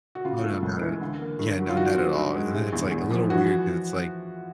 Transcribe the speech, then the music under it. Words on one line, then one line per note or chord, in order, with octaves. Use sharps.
Oh, no, not at Yeah, no, not at all and then it's, like, a little weird 'cause it's, like,
F#4
C#3 F4
A3
C#2
E3
D3
A#3
G2
F#3
F4
D#3 F#4
C4
G2
G#3
C3
E2
E2
F3
E3 F#4